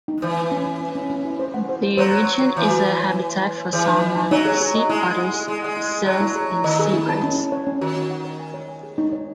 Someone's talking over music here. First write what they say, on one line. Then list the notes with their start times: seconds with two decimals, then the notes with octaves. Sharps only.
The region is a habitat for salmon, sea otters, seals and seabirds.
0.08 D#4
0.22 E3 C5
0.37 E4
0.52 C#4
0.66 C#4
0.81 C#4
0.95 C#4
1.10 C#4
1.25 E4
1.39 C5
1.54 F#5
1.69 C5
1.83 C5
1.97 F#3 C5
2.12 C5
2.27 C#6
2.41 C5
2.56 E3 C#5
2.70 F#4
2.86 C#5
3.00 C#5
3.15 G#5
3.29 C6
3.43 C6
3.58 C#5
3.73 E3 G#4
3.88 D#4
4.02 D#5
4.17 D#4
4.31 F#3 D#4
4.45 G#4
4.61 G#4
4.75 D#5
4.89 G#3 E4
5.04 F#5
5.18 F#5
5.34 G#4
5.47 G#3 E4
5.62 G#3 F#5
5.77 E4
5.91 G#4
6.06 F#3 A5
6.21 E4
6.35 G#4
6.50 E4
6.64 D#3 D#5
6.79 G#4
6.93 E4
7.09 A5
7.23 C#4
7.38 C#4
7.52 C#5
7.67 C#4
7.81 D#3 F#4
7.96 F#4
8.11 F#5
8.25 C#5
8.40 G#5
8.54 C#5
8.69 G#5
8.83 G#4
8.98 D#4
9.13 C#5